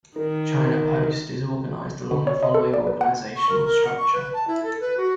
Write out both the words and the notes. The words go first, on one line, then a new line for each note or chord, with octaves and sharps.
China Post is organized along the following organizational structure.
D#3 D#4 A#4
D3
C#5
D#5
A4
D5
B4
F#5
C#6
A#4
A#4
F#5
C#6
B4
A5
E4
A4
B4
F#4